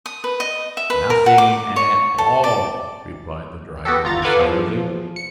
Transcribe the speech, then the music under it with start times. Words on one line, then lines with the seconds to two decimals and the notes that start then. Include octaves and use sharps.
"Nothing at all," replied the driver, decidedly.
0.06 D#6
0.24 B4
0.40 D#5
0.77 E5
0.90 B4
1.10 A#4
1.26 F#5
1.38 D6
1.76 C#5
2.18 A4
2.44 D5
3.85 B3 F#4 G4 A4
4.04 G1 F4 A#5 A6
4.22 A4 B4 F5 F#5 D6 G#6
4.40 E2 F3
5.16 C#7